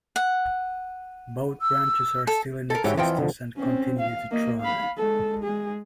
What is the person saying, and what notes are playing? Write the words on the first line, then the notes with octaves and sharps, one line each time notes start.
Both branches are still in existence and continue to thrive.
F#5
E6
A4
A4 A#4
G#2 E3 F#4 G4 C#5 E5
F2 E3 C4 F4 F#5 G5
D3 F3
C4 C#4
F5
A#3 D#5
F5 B5
G#3 A4
G#3 G#4